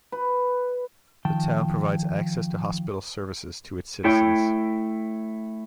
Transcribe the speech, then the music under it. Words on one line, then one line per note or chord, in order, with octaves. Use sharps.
The town provides access to hospital services to its citizens.
B4
D#3 F3 G5 A5
A3 E4 C#5 G5